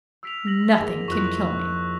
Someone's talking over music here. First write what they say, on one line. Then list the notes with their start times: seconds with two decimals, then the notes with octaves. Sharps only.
"Nothing can kill me."
0.23 E6 F6 B6 C7 D7 F7
0.47 A#6 F#7
0.79 G#2 A#3
1.08 F2 E4 C#6 F#6